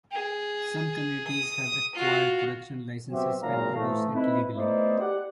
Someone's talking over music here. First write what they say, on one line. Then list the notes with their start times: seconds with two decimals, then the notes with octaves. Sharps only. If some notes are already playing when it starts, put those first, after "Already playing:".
Some communities have acquired production licences and produce it legally.
0.12 G#4
1.27 D#6
1.95 F4 F#4
3.11 F#3 B3 C4 F#4 G4 E5
3.41 G#1 A#2 C#3 F#3 F5 A#5
3.74 A2 E3 F3 A3
4.13 C4 D#4 E4 B4
4.57 A3 B3 D#4 E4 C5 D5
4.98 G4 D5 F#5